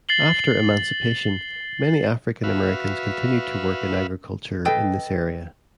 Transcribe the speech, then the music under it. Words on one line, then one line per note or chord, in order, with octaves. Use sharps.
After emancipation, many African Americans continued to work in agriculture in this area.
A6 C7 F#7 G7
F#4 B4 E5 F5
A4 B4 D#5 G5